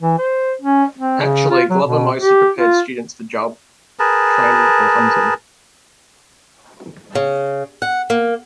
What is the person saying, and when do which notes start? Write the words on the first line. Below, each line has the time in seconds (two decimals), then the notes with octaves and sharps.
Actually, Glover mostly prepared students for job training or hunting.
0.02 E3
0.18 C5
0.61 C#4
0.98 C4
1.21 C#3
1.50 F4
1.70 F#3
1.84 B2
2.21 G4
2.59 F4
3.99 G#4 A#4 B4 A5
7.15 C#3
7.82 F#5
8.10 A#3